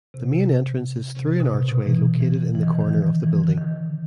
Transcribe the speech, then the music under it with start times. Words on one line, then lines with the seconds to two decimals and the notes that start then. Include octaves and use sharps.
The main entrance is through an archway located in the corner of the building.
0.14 C3
0.32 C3
1.17 C3
1.29 C3
1.40 B2
1.52 A#2
1.69 B2
1.86 E3
2.21 E3
2.55 E3
2.63 D#3
2.81 D#3
2.89 E3
3.24 E3
3.41 D3
3.58 D#3